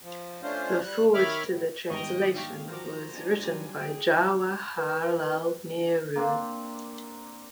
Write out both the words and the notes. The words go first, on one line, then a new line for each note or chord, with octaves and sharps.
The foreword to the translation was written by Jawaharlal Nehru.
F3
A3 C#4 D4 F4 C5
G3 F#6
D#3 C#5 E5 B5 D6 F6
A2
G#2 D#3 G3 B3 D#5 G5 A#5 C#6
D4 D#4 F5 G5 C#6
F3 F#4 A#4 C5 A#5 D6
D4 F4 G#5
F#3 G3
G#4 G5
B4
A#3 C4 D4